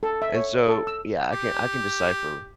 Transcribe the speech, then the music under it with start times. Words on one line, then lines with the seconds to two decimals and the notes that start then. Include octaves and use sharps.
and so, yeah, I can I can decipher
0.03 A4
0.22 E5
0.35 C#5
0.68 A4
0.87 E6
1.32 G4